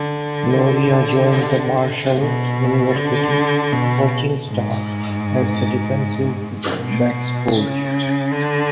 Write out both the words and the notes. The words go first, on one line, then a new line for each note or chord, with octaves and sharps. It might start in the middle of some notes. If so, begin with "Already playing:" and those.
Loria joined the Marshall University coaching staff as the defensive backs coach.
Already playing: D3
B2
D3
B2
G#2
B2
C#3
D3